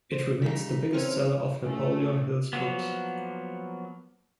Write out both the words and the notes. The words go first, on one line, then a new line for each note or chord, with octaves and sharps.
It remains the biggest seller of Napoleon Hill's books.
C5
C#3 G3 D#4 B6
E3 C4 C#4 F6
A2 A3 C#4
F3 F#3 A#3 B3